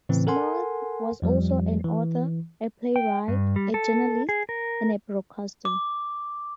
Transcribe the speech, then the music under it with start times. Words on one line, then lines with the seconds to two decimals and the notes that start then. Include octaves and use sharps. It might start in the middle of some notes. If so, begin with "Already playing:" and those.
Smyth was also an author, a playwright, a journalist and a broadcaster.
0.09 A2 C#3 E3 C4
0.27 A4 A#4 F#5 G#5 C6
1.22 F2 F3 G3
1.85 E3
2.96 G5
3.28 G2
3.56 G3
3.74 A4
4.29 G#4
4.49 A#4
5.65 D6